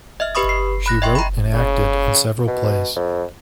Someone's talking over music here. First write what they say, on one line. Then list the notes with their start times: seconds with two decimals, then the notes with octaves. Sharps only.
She wrote and acted in several plays.
0.20 D#5 E5 F6
0.35 G4 B4 B5 C#6 D#6
0.49 C7
0.86 B5 F#6 A#6
1.02 D#5 E5 G5 C6 C#6
1.15 A#5 B5
1.54 C#3
2.48 B2
2.96 F2